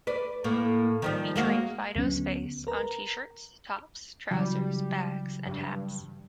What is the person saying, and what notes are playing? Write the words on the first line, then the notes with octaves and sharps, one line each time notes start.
Featuring Fido's face on t-shirts, tops, trousers, bags and hats.
B4 D5
A2 A#3
D#3 F3 G3
G#3 A#3 F#4
D2 D3 F#3 B3 C#4
A#4 B4 A#5
C#3 E3 F#3 G3
G2